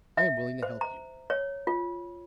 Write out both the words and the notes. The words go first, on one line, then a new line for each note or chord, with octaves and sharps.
I am willing to help you.
E5
C5
A#5
C#5
F4